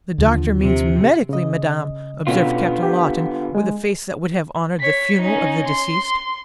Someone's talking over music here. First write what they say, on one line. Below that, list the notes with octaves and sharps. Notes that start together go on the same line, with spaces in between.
"The doctor means medically, madam," observed Captain Lawton, with a face that would have honored the funeral of the deceased.
D#2 D3 F3
C3
C#3 D#5
B2 D3 B3 C#4 F4
G4
G#3
C#5 B6
C#4 D#4
C6